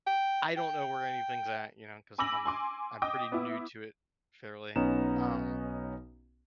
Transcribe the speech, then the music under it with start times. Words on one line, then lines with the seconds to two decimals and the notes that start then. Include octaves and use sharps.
I don't know where anything's at, you know, 'cause I'm I'm pretty new to it fairly, um,
0.07 G5
0.57 G5
2.18 G#5 B5 D6 E6 A#6 F#7
2.45 G#5 C6 D6
3.02 D#5 G5 D6 D#6
3.32 B3 E4
4.76 B1 B3 C#4 D#4 A#5 E7